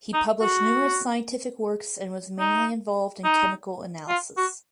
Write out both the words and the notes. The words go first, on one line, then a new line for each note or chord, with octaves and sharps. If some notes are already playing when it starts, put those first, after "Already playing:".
He published numerous scientific works and was mainly involved in chemical analysis.
D#4
F#4
D#4
D#4
F4
F#4